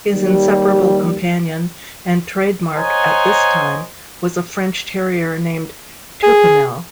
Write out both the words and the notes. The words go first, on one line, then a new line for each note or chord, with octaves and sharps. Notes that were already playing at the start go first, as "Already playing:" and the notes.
His inseparable companion and trademark at this time was a French terrier named Toupinel.
D#2 G3
C5 C#5 D#5 F#5 G#5 A#5
G#4